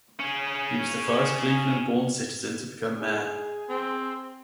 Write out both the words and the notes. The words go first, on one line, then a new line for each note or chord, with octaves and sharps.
He was the first Cleveland-born citizen to become mayor.
C#4 G#4
G#4
C4